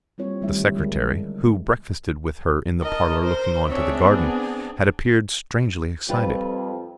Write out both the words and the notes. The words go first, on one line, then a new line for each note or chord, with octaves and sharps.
The secretary, who breakfasted with her in the parlour looking on to the garden, had appeared strangely excited.
G3 A#3 C4 E4 F4 C#5
D3 D#3 G3 A3 E4 E5
D3 F3 G#3 D4 A#4
A#4 D#5 A5
C5
C4 D4 G#4 C#5 E5
B3
F2 G3 F4 B4